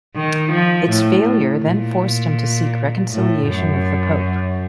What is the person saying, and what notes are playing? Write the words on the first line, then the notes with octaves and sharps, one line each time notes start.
Its failure then forced him to seek reconciliation with the Pope.
D#3
F3
A2
A#2
A2
F#2